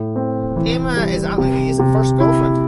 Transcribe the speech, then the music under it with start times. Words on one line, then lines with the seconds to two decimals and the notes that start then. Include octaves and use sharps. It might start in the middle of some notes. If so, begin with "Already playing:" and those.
Emma is Antony's first girlfriend.
Already playing: A2
0.16 C4
0.56 E3
0.97 G3
1.38 C3
1.79 C3
2.20 E4